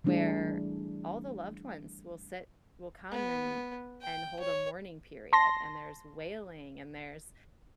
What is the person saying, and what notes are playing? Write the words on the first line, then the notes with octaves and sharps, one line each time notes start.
where all the loved ones will sit will come and and hold a mourning period. And there's wailing, and there's,
E3 G3 A3 D4 E4 G#4
B3
G5
C#5
A5 C6 A#6